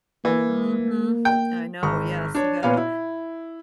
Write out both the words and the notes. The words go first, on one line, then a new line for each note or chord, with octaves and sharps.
Mhm, I know, yes, you gotta
E3 A#3
G5
G#1 C#6
D4 C#5
A#2 B3 C#5 F5
E4